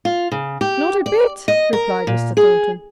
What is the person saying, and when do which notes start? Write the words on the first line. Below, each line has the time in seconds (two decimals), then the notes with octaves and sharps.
'Not a bit,' replied Mr. Thornton.
0.05 F4
0.32 C#3
0.61 G4
1.06 D5
1.48 D#5
1.73 A#4
2.07 A#2
2.37 G#4